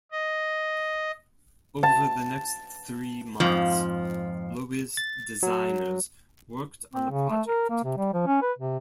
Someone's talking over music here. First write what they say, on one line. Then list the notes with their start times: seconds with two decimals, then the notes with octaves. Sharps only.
Over the next three months, Loewy's designers worked on the project.
0.12 D#5
1.83 A5
3.40 F2 G#2 F3
4.97 A6
5.43 F#3
6.93 C4
7.11 C#3
7.30 A3
7.47 A#4
7.70 A#3
7.84 C3
7.97 G3
8.13 F3
8.26 C#4
8.42 B4
8.58 C3